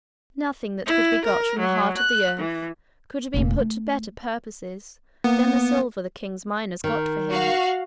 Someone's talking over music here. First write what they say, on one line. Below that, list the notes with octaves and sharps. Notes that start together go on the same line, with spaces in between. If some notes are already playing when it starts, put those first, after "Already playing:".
Nothing that could be got from the heart of the earth could have been put to better purposes than the silver the king's miners got for him.
E4
A#4
F#3
F#6
E3
F1 A#2
A3
A#3 B3
D#3
F#4 F5